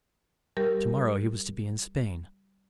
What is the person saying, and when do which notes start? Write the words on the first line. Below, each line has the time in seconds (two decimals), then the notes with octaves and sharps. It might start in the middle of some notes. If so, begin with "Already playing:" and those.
To-morrow he was to be in Spain.
0.57 G3 G4 A#4